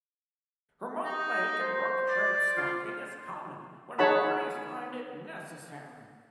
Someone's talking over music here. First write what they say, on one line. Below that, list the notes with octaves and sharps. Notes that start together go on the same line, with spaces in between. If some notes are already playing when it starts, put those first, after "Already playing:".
Remote lake and brook trout stocking is common when authorities find it necessary.
D#4
C5
D5
F4
D#4 G#4 C#5 F#5 A5 B5